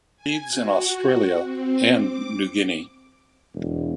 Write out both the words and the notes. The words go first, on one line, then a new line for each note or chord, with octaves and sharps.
It breeds in Australia and New Guinea.
G#5
F#4
C4
D6
E1